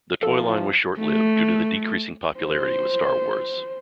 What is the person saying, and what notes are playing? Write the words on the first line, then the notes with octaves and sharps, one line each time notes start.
The toy line was short lived due to decreasing popularity with Star Wars.
C3 E3 F3 A4
A3
C5